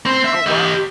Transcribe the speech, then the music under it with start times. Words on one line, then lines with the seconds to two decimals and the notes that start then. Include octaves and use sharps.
Oh, wow.
0.06 C4
0.24 E5
0.46 G4 D#5